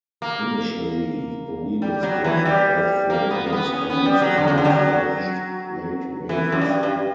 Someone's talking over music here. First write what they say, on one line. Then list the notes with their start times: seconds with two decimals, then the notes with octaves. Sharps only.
Initially the wheels were without flanges for use on the flanged plate rails.
0.22 A#3
1.82 G3
2.03 F#3
2.24 E3
2.45 G3
3.10 A#3
3.31 B3
3.46 A#3
3.53 B3
3.73 C#4
3.90 B3
4.06 G3
4.21 F#3
4.37 D3
4.48 C#3
4.58 D3
4.65 G3
4.70 F#3
6.29 E3
6.52 F#2
6.61 G2
6.83 G2